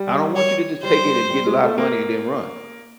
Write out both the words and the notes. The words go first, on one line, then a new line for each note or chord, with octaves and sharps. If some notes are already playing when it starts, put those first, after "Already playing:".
"I don't want you to just take it and get a lot of money and then run.
Already playing: G3
C#5
G3 C5
G3
G#3
A3
A#3